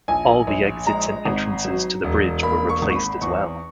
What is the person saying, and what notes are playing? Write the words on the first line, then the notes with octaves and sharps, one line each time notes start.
All the exits and entrances to the bridge were replaced as well.
A#1 G#5
A#1
G#3 A#5
G#1
F#3
E1
A#3 B5
C#6
G#1
C#6
B5
E2 C#6